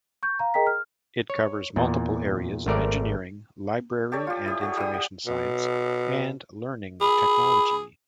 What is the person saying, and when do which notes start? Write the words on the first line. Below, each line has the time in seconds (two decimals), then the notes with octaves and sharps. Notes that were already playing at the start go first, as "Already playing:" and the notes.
It covers multiple areas of engineering, library and information science, and learning technology.
0.23 C#6 G6
0.39 F5 A#5
0.54 G#4 A#4 D#5 G5 A#5 B6
0.67 F6
1.30 C#5
1.76 E2 A#2
2.66 G#1 A3 A#4 D5
4.12 G4 A4 C#5 D5
4.27 F4 G4
4.46 E4 G4
4.61 F#4 G4 A4
4.77 G3 E4 G4 D#6
4.94 F#5
5.27 B2
7.01 G#4 B5